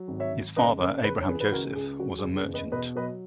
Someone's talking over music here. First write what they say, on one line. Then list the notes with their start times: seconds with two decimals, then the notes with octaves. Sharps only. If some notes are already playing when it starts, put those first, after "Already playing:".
His father, Abraham Joseph, was a merchant.
Already playing: F#3
0.08 G#1
0.20 C#5 E5
0.32 G#1
0.56 C#2 B4 D#5
0.80 C#2 A#4 C#5
0.97 C#5
1.04 C#3 G#4 B4
1.21 C#5
1.28 E3 G#4 B4
1.40 B4
1.52 C#2 F#4 A#4
1.76 C#2 G#4
2.00 F#3 F#4
2.19 G#4
2.24 F#1
2.36 G#4
2.48 E2
2.54 B4 D#5
2.72 B2 B4 D#5
2.96 F#3 B4 D#5